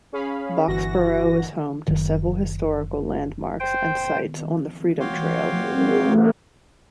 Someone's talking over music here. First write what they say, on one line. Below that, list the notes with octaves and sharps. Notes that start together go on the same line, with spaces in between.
Boxborough is home to several historical landmarks and sites on the Freedom Trail.
C#4 G#4 F5 B5
G1 E3 F#4 A#6
F#1 D#3
C5 G5
F#4 C#5 F5 G5 C6 D6